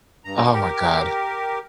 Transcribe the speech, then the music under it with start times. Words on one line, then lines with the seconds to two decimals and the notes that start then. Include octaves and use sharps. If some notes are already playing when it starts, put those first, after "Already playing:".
Oh my god.
0.25 G2 A#5
0.53 G4 A#4